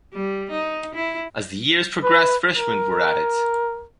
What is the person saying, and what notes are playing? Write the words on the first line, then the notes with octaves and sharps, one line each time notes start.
As the years progressed, freshmen were added.
G3
D#4
E4
B4
A#4